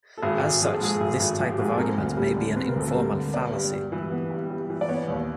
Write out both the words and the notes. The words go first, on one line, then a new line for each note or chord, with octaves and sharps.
As such, this type of argument may be an informal fallacy.
A4
G#1 G#4
G#1
F3 G#4
A4
G#2 G#4
G#1
G#1
F3
G4
G#2 G#4
A4
C4 A#4
D2
G3
D3
C4 B4
A#4
D2 A4
G3 A#4
D3
B3 D5
G2
G3
E3
B3
G2
G3
E3
D5
B3 C#5
D#2